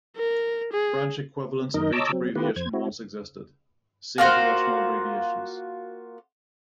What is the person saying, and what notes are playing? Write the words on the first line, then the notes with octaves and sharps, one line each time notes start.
French equivalents of each abbreviation once existed: see Traditional abbreviations.
A#4
G#4
F#2 D#3 D#4 A#4 D#5
C#5 D#5 A5 A#5 D6 E6
F#3 C4
D#3 A3 B3 F4 G4 B4
F2 C5 G#6
C4 E4 F#4
A#3 F4 F#4 C5